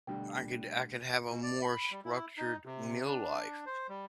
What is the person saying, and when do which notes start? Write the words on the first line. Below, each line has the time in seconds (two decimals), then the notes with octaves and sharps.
I could I could have a more structured meal life.
0.07 B2 D3 G3 A3 G5
1.30 B2
1.43 D5
1.62 B5
1.91 G3
2.05 E4
2.38 D#4
2.66 C3
3.05 D4
3.66 C5
3.89 G3